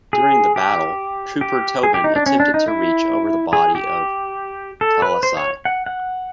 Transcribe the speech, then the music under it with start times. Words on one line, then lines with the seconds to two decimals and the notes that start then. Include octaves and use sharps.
During the battle, Trooper Tobin attempted to reach over the body of Talaiasi.
0.13 G#4
0.56 G4
1.41 G4
1.83 G#4
1.94 G4
2.04 D#4
2.16 D4
2.26 C#4
2.40 D4
2.54 D#4
2.68 E4
3.53 G#4
3.75 G4
4.81 A4
5.02 B4
5.23 C5
5.37 C#5
5.65 F#5
5.86 F#5